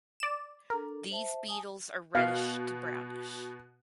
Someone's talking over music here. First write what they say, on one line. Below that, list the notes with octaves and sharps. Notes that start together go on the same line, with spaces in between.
These beetles are reddish to brownish.
D5 E7
D4 A4 A#4
C5 E5 A5
G#5 A5 D#6
B2 F5